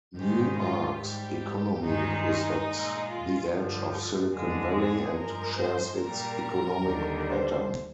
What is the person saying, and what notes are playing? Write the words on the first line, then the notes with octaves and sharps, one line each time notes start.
Newark's economy is at the edge of Silicon Valley and shares its economic pattern.
G#2 D#3 G#3 G4
F4
G#2 G3 G4
G2 D#3 G#3 D#4
D#4
A#2 G#3
F4
G2 D3 F3
F2 D3 G#3
G#4
G2 F3 G#3 A#4
C5
A#2 G3 A#4
D#2 D3 G3
C5